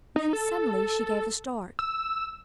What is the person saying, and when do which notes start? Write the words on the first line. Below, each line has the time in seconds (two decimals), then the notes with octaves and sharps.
Then suddenly she gave a start.
0.16 D#4
0.33 A4
1.79 E6